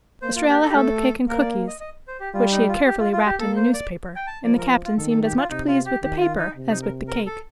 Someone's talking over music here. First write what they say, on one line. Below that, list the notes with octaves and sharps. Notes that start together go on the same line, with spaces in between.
Estralla held the cake and cookies, which she had carefully wrapped in a newspaper, and the Captain seemed as much pleased with the paper as with the cake.
A#3 C5
F4
G4
A4
G4
A3 A4
A#3 A#4
D5
D#5
D#5
C5
G4
G3 F4
D#4
F4
G4
F4
F4
G4
A#3 A4
C5
D5
G5
A5
F3 D5
A#4
F4
D#3 A4
A4
G4
F4
C3 D#4
F4
G4
D#3 G4
F4
D#4
C3
D#4
A#4
A#4
A4